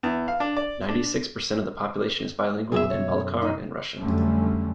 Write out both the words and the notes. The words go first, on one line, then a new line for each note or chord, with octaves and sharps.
Ninety-six percent of the population is bilingual in Balkar and Russian.
E2
F5
D4
D5
D4
B1 F#2 G#4 E5
C#5
D#4
F2 D3 F#3 G3 A3 C#4